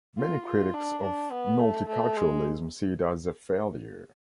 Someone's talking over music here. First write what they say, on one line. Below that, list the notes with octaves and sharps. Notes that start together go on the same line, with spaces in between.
Many critics of multiculturalism see it as a failure.
F4
F4
D4
D4
B3
A3
A3
G#3